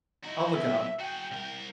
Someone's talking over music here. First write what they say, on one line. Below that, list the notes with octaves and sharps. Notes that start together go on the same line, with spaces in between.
I'll look it up.
D#4 E4 F#4
B1 E5
F#4 G#4 G5
C2 A#4